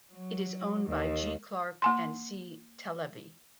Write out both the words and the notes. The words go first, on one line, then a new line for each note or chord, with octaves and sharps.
It is owned by G Clarke and C Talevi.
F#3
D#2
A#3 G#5 C6